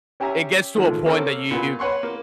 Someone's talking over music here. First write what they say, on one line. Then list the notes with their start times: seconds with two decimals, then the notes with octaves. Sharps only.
It gets to a point that you
0.20 C#4 G4 E5 G#5 A#5
0.76 D#3 F3 G#3 A3
1.06 A#3 C4 C#4 A4 A#4
1.51 A#2 B3
1.79 B4 C#5 F#5 C6 C#6
2.03 A#3